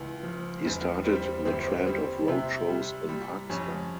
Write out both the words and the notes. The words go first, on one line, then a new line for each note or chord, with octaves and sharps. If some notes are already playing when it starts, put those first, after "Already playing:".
He started the trend of road shows in Pakistan.
Already playing: C#2 E3
F3
E1
G3 C4
G1 C4
G3 C4
C3
G3
G3
F2 C#4